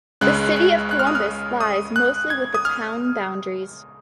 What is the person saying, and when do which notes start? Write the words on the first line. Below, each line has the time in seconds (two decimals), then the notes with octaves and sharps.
The city of Columbus lies mostly with the town boundaries.
0.21 C#2 C#3 G#3 C#4 F#6
0.56 F#6
0.91 F#6
0.99 F6
1.07 D#6
1.15 F6
1.60 D#6
1.96 F#6
2.30 G#6
2.54 D#6
2.65 F6